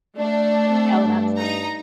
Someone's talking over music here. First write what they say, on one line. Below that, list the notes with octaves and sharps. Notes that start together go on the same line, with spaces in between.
Oh, absolute
A3 D4 D5
C4
G2
D#4 A#5